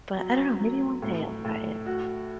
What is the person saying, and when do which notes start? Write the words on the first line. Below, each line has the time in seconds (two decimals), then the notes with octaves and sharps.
but I don't know, maybe one day I'll try it.
0.17 F#3
0.59 F#3
1.02 A2
1.44 A2
1.86 F#4